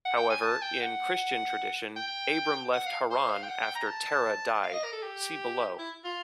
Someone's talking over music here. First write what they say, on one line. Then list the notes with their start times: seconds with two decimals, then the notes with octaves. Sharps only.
However, in Christian tradition Abram left Haran after Terah died, see below.
0.05 F#5
0.17 G5
0.30 G#5
0.42 A5
0.62 G5
0.82 F#5
1.96 G5
2.73 F#5
2.86 F5
3.11 C5
3.30 F5
3.43 G5
3.49 F#5
3.62 G5
3.75 A#5
3.87 A5
4.64 F5
4.73 D#5
4.84 A#4
4.92 A4
5.02 G4
5.79 E4
6.05 F4